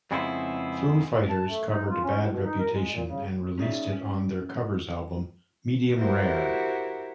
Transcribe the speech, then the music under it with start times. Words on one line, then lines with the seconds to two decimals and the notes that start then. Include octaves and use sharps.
Foo Fighters covered "Bad Reputation" and released it on their covers album, "Medium Rare".
0.11 F2 C#3 G#3 B3 C4 E4
1.30 A5
1.48 A3
1.71 D#4
1.90 F4
2.03 C#4
2.17 A2
2.30 B2
2.45 D#4
2.59 A#4
2.73 G#3
2.90 A#2
3.07 C#3
3.58 C#4 D#4 G#4 D5 E5
3.93 C#4
5.96 E4 F#4 G4 A#4 C5